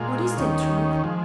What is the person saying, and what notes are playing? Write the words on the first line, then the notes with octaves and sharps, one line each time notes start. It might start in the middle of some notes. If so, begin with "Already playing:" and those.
What is the truth?
Already playing: A#2 G#3 F4
D#2 D#3 C#4
F3 G#3